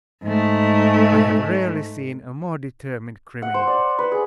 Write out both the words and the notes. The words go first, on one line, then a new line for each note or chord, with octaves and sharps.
I have rarely seen a more determined criminal.
G#2 A3
F#5
C5
D5
B4
G#4